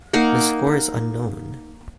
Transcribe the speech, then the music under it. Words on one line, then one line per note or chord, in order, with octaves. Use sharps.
The score is unknown.
A#3 D#4 A#4 F#5